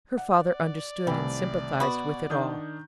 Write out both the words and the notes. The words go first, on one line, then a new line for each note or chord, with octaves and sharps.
Her father understood and sympathized with it all.
D5 F#5
C2 C3 D#3 E3 A3 G5
B2 B3 F#4
D#3 D4 D#6 G6